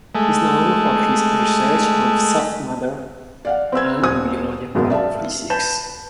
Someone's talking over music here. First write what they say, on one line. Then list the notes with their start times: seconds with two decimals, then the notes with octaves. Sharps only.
He is known for his research on Soft matter and Biological Physics.
0.15 G#3 A3
3.45 D5 F5 F#5
3.72 C4 B4 E6 G#6
4.02 D#1 C4 D#6 G#6
4.75 G#1 F#2 B2 G#3
4.90 D5 E5 F5 A5
5.50 B4 A5 G6 E7